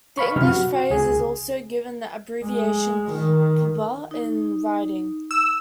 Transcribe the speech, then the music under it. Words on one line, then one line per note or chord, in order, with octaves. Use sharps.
The English phrase is also given the abbreviation "pbuh" in writing.
B4 F5 B5 C#6
F#2 C3 F6
F#4
C#2 G#4
G#3
D#3
D#4
E6